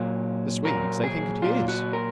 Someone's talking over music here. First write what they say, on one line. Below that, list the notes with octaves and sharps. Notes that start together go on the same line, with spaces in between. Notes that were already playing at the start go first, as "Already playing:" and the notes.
The Swedes, they think it his.
Already playing: A#2 F#3 A#4
A#2 F#3 A#4
G#4
A#2 F#3 F4
F#4
A#4